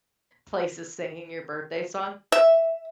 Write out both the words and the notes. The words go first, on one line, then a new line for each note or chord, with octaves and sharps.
place is singing your birthday song.
E5